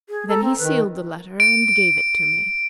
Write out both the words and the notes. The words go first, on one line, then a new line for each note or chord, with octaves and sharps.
Then he sealed the letter and gave it to me.
G#4
A4 A#5
C4
D#3 B4
D7